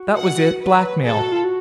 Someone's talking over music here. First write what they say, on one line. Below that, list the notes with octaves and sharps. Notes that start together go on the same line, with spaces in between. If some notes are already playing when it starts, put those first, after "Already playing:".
That was it--blackmail.
Already playing: F#4
F#5
B4
G#4 A4
F#4
F4
F#4